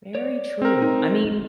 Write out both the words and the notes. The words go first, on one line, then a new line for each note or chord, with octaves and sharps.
Very true. I mean
C#5 D5
C4 A#4
D#4